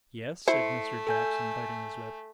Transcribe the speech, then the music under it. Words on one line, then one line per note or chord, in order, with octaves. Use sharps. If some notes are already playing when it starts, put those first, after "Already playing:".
'Yes,' said Mr. Jackson, biting his lip.
A3 E4 C5 C7 C#7
A4 G#5 G6